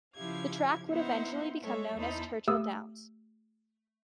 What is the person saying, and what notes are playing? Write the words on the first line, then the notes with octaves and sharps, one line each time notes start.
The track would eventually become known as Churchill Downs.
C#3 F3 E4 G4 F5 G#6
B3 D#4 E4 C5 E5 F#5
G#3 A3 A4 C#5 E5
E2 D#4 E4 C5 A5 B5
A3 G4 D#6 E6